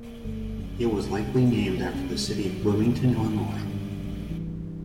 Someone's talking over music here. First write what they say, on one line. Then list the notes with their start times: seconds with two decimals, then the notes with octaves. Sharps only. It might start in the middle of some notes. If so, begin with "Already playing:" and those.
It was likely named after the city of Bloomington, Illinois.
Already playing: A#3
0.25 G1 A3
0.59 F#2
0.92 C2 G#3
1.27 C3
1.60 C2
1.77 B3
1.93 C2 C#4
2.11 G#3
2.27 G#2 G3
2.45 F#3
2.62 G#2 F3
2.78 D#3
2.95 G#2
3.29 G#2
3.63 G2
3.97 A1
4.30 G2 E3